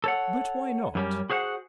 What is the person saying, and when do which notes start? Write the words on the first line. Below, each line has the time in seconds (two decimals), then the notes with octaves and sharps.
"But why not?"
0.04 A4 C#5 F#5
0.95 F#2 G3 C#4
1.30 F#4 G#4 C5 F5 F#5